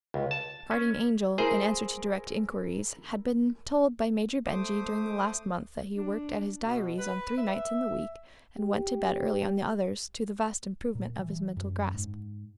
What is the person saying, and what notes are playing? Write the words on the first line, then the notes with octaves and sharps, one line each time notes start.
Guardian Angel, in answer to direct inquiries, had been told by Major Benjy during the last month that he worked at his diaries on three nights in the week and went to bed early on the others, to the vast improvement of his mental grasp.
C#2
A5
C#4
E4 G#4 A#4 C5
A3 C5 D6 D#6
D4
B2
B4
E5
G4
A#2
E3
F#2
G#2